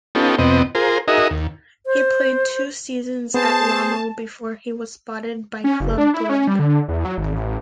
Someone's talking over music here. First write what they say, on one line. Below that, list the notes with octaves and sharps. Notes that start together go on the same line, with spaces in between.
He played two seasons at Lommel before he was spotted by Club Brugge.
B3 C#4 D#4 F4 G4 A4
F2 C3 B3 C4 D#5
F4 G#4 A#4 C5
D#4 F#4 G#4 A#4 D#5 E5
D#2
C5
B3 G#4 C5 A5
C#4
F#1
D4
E4
C#4
G3
D3
E2
F#3
G#1
A1
A1